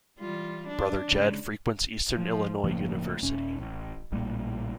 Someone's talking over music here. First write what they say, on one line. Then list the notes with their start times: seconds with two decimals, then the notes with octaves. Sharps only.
Brother Jed frequents Eastern Illinois University.
0.19 E3 G3 F4
0.68 D4
1.08 C#3 G#3
2.17 F3
2.64 F#1 A2 F3 A#3
3.23 D#1 C#4
3.58 A1
4.12 A#1 A2 G3 A#3